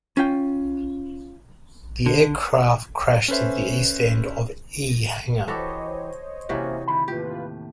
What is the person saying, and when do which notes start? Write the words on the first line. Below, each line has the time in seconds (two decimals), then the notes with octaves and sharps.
The aircraft crashed at the east end of E Hangar.
0.17 C#4 F4 G5
2.06 D3
3.28 C#4 A4 B4 C5 E5
5.48 E3 F#4 G4 A4 C5 C#5 D#5
6.49 C3 E3 A#3 C#4 F#4
6.88 D2 D#3 B5
7.08 D#2 A2 C#3 F4 G4 B4